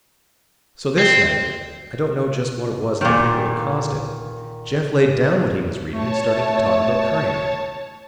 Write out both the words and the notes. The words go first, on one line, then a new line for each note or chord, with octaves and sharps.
So this night,--I don't know just what it was in the paper that caused it,--Jeff laid down what he was reading and started to talk about Carnegie.
C4
A#2 D#3
A3 C#5 A5